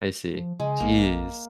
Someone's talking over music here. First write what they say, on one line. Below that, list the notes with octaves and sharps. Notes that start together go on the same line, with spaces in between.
I see. Jeez.
F3
C#3 G#3
A#1 A#3